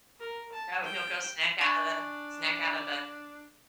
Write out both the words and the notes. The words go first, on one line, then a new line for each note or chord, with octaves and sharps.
Oh, he'll go snack out of the snack out of the
A#4
A5
G5
D4 G#5 C#6 A6